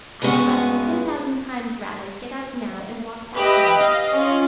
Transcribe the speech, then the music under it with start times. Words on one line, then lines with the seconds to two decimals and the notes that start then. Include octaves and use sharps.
I had rather, ten thousand times rather, get out now, and walk back to them.
0.22 G2 G#3 B3 C#4 F#4
3.36 G4 B4 D#5 E5
3.75 D#5 F5
4.14 C#4 F4